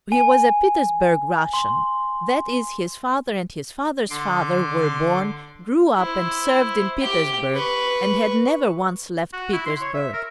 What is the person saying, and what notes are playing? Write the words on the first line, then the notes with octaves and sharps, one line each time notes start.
He was a Petersburg Russian; that is, his father and his father's father were born, grew up and served in Petersburg and had never once left Petersburg.
G#5
C6
D3 C6 D6
E4 C5
G4 G5
B4 C#6
F#4
E4
C6
C#5
E5
A#4